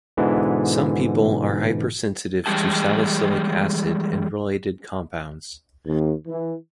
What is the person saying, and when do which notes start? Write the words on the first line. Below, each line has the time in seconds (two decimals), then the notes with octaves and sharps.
Some people are hypersensitive to salicylic acid and related compounds.
0.17 G#2 B2 D3 E3
2.46 E3 G3 G#3 G4 A5
5.86 D#2
6.27 E3